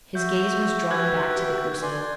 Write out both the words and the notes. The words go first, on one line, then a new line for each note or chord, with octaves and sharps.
His gaze was drawn back to the crucible.
F#4 E5 G6
G4 B4 E6 F#6 G#6
D5 G#5 C6